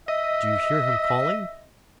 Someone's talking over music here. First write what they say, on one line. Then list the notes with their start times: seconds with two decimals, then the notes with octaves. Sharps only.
Do you hear him calling?
0.08 D#5 E5